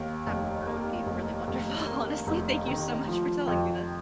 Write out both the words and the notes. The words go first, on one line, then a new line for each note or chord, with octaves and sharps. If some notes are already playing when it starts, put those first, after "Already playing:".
That that would be really wonderful. Honestly, thank you so much for telling me this.
Already playing: D#2
F1
A#3
F1
F1
A#3
F1
D#3
F3
F2